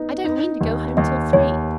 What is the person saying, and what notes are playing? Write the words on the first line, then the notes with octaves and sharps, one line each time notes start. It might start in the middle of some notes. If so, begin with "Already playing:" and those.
I don't mean to go home till three.
Already playing: B3 D#4
D#4
D#2
D#2 D#5
D#2 C#5